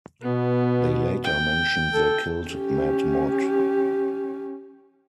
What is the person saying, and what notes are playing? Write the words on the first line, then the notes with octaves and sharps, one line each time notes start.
They later mentioned they killed Mad Mod.
B2 B3
G5
A4
C#4 G4